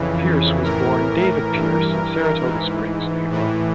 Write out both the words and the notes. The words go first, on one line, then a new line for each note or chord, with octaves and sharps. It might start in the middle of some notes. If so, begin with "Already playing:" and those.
Pierce was born David Pierce in Saratoga Springs, New York.
Already playing: F2 C#3 E3
A2 E3 A#4
G2 E3
G#2 E3
A2 E3